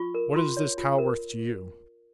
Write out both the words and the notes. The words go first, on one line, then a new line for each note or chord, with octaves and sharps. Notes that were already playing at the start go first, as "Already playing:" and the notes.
"What is this cow worth to you?"
Already playing: F4 C#6
A#4
F4 C6
C#5
F4
A#4